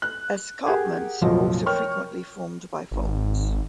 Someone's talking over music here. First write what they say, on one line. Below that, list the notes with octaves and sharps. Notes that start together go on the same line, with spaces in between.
Escarpments are also frequently formed by faults.
F#6
G4 G#4 A#4 F#5 G5
F1 A#1 F3 F#3 D#5
A#4 C#5 G5 C#6 F6
G#1